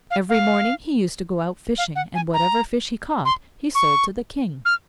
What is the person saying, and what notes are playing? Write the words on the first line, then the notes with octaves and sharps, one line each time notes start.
Every morning he used to go out fishing, and whatever fish he caught he sold to the King.
F5
F5
F5
F#5
G#5
A#5
C6
C#6
F6